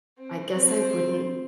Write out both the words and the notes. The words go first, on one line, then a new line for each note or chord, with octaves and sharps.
I guess I wouldn't
C4
C4